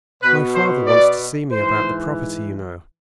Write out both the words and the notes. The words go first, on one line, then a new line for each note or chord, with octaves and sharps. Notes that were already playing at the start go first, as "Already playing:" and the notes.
"My father wants to see me about the property, you know."
B2 B4
C5
D5
G#2 E3 C5